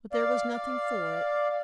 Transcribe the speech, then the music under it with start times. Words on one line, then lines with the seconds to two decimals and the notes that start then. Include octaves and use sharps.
But there was nothing for it.
0.13 D5 F5